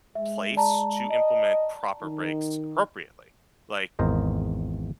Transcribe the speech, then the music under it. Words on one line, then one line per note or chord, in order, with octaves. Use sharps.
place to implement proper breaks appropriately. Like,
G#3 E5
D5 A5 A#5
D#5
D#3 D#4
G#1 E2 A#4 C5 D#5